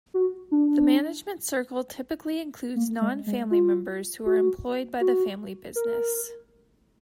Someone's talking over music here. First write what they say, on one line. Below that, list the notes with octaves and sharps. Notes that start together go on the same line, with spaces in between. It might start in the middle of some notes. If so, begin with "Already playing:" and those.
The Management circle typically includes non-family members who are employed by the family business.
F#4
D4
A#3
G#3
G#3
F4
F#4
F#4
A#4